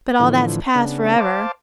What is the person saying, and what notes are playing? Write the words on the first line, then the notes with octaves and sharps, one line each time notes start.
But all that's past for ever.
A2 D3 E3 F3
C#3 B3 D4
C5 F5 A5 D6